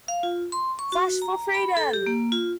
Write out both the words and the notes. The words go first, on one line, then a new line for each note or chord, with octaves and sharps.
Flash For Freedom!
F5
F4
C6
C#6
F#4
A#5
B5
A4
G4
A#3
F4